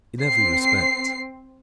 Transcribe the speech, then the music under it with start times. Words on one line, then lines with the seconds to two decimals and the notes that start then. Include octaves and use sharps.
"In every respect."
0.22 C4 C7